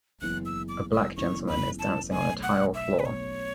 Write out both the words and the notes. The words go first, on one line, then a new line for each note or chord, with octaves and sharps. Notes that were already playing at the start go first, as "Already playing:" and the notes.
A black gentleman is dancing on a tile floor.
F#1 F#2 E3 B3 F#6
E6
D6
E6
F#1 F#2 E3 B3 C#6
B5
A5
B1 B2 A3 G#5
F#5
E5
B4
B1 B2 A3 C#5